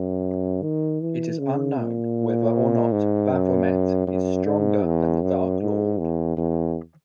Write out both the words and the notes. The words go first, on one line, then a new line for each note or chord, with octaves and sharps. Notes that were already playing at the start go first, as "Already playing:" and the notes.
It is unknown whether or not Baphomet is stronger than the Dark Lord.
Already playing: F#2
D#3
E3
C#3
A#2
G#2
F#2
F#2
G#2
E2
F#2
G#2
E2
E2